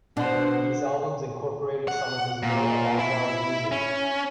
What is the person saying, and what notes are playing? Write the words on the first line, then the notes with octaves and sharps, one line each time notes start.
These albums incorporated some of his more avant-garde music.
B2 D4 C5 F#5
F#5
A#2
E4
C#4